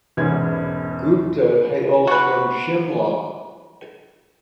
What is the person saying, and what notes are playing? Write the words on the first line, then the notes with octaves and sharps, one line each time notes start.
Gupta hails from Shimla.
E1 E2 G#2 B3 C#4 G#6
F#4 B4